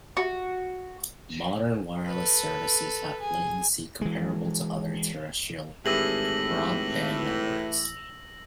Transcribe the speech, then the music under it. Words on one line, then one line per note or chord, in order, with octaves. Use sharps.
Modern wireless services have latency comparable to other terrestrial broadband networks.
F#4
A4 B4
G#4
E3 G#3
G#1 A2 E3 G4 G#4 E6 A#6 F#7